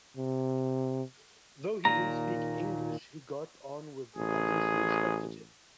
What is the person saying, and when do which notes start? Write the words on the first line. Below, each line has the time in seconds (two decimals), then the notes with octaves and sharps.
Though he didn't speak English he got on with the others who respected him.
0.17 C3
1.85 D#2 A#2 A#5
4.16 A1 G#4